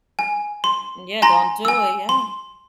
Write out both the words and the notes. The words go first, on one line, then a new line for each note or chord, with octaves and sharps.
Yeah, don't do it. Yeah.
G#5
C6
G#5 A#5 C6 A#6
G#5 E6
C6